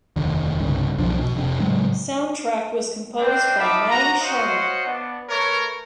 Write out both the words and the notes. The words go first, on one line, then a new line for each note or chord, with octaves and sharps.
Soundtrack was composed by Mani Sharma.
F1 D#2 D3
C2 G2 C#3
B1 E2 F3 D4
B2
F1 C3 D4
A2 C#3 F#3 G#3
A3 C4 D4 G5
D#4 E5 F5 A5 B5 D6
F#4 A#5
F#4 C5 C#5 D#5 F5 F#5
B3 D4
A3 A#4 B4 C#5